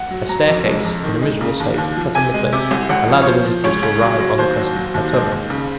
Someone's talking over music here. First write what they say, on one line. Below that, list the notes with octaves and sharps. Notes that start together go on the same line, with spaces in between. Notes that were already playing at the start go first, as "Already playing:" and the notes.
A staircase, in a miserable state, cut in the cliff, allowed the visitors to arrive on the crest of the plateau.
Already playing: F#5
F#3
F#3 A#5
F2
G#3
F2
D#3
G#3
C#3
D#2
D#2
F3
C3 G#5
G#3
C3
C2
G#1 F#5
F3
C#5
F3 C5
F3
C#2 C#5
C#2
F#3
F#3
D#2 C5
F#3
F#3
D#2
G#3 C5
D#2
C#3